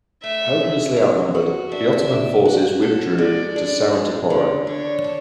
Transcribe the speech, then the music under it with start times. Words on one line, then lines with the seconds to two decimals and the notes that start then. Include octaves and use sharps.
Hopelessly outnumbered, the Ottoman forces withdrew to Sarantaporo.
0.23 A3 E5
0.60 G#4
0.96 F#3
1.35 F#4
1.71 D4 E5
2.08 D4
2.45 F#4
2.82 A4
3.18 G#3 D5
3.56 D4
3.93 G#3
4.30 D3
4.67 D4 C#5
5.04 A4